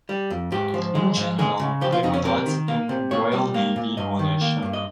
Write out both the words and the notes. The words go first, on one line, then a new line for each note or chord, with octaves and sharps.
In general, they were not in Royal Navy ownership.
G3
F2
G#2 G4
F3
G#3
G#2
G#3 G#4
C#3
F3 G4
F4
F2 D#4
C#4
C3 A#4
D#3
A#3
C3
A#2 C#5
G3
A#3
A#2
G2 D#5
D#3
A#3
G2
D#5